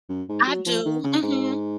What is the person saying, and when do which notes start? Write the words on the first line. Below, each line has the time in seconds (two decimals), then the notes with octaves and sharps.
I do, mhm.
0.09 F#2
0.29 G#2
0.47 F#3
0.66 F3
0.85 D#3
1.04 C#3
1.23 G#2